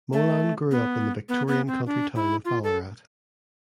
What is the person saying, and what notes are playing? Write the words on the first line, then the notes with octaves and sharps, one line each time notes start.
Molan grew up in the Victorian country town of Ballarat.
A3
B3
B3
B3
C4
D4
E4
F4
A4